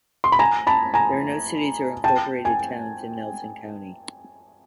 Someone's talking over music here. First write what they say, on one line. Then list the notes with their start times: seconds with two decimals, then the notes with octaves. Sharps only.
There are no cities or incorporated towns in Nelson County.
0.24 C6
0.32 B5
0.39 G#5 A#5
0.67 A5 B5
0.94 G#5 A#5
2.04 G5 A5
2.45 G#5